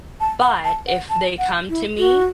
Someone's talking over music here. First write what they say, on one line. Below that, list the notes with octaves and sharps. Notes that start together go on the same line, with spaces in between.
But if they come to me
A5
F#5
A5
F#5
A5
F#5
E4
F#4